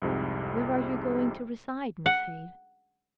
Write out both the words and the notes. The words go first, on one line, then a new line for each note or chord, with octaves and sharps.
Where are you going to reside, Miss Hale?
C2 F2 G#2 C3
F#5